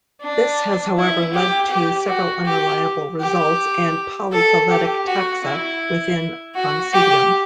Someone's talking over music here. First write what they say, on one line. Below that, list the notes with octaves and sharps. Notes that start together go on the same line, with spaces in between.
This has however led to several unreliable results and polyphyletic taxa within "Oncidium".
D4
E4
G4
G4
F#4
G4
G4
A4
G4
F#4
E4
F#4
G4